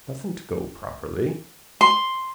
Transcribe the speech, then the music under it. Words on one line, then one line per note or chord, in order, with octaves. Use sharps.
Doesn't go properly.
C6